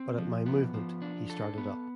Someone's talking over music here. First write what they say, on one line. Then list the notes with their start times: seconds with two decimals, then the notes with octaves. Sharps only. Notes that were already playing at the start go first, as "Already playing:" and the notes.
But at my movement, he started up.
Already playing: C4
0.18 F3
0.46 B3
0.74 F3
1.02 D4
1.30 A4
1.58 B3